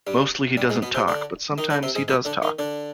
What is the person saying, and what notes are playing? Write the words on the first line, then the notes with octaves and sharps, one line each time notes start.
Mostly he doesn't talk, but sometimes he does talk.
G2 G3
G2 G3
G#2 G#3
B2 B3
C3 C4
D3 D4
D#3 D#4
D3 D4
C3 C4
G#2 G#3
B2 B3
D3 D4
D#3 D#4
D3 D4